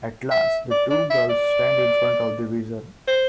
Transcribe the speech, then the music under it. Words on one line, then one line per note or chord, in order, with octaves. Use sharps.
At last, the two girls stand in front of the Wizard.
E5
D5
D5
E5
D5
C5